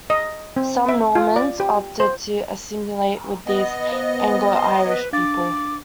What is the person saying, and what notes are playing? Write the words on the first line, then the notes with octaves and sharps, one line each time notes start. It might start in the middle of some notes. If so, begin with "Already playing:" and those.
Some Normans opted to assimilate with these Anglo-Irish people.
D#5
C4
E5
F4
D5
G4
C5
B3 D#5
C5 F5
C6
B4
D4 F5 D6 A6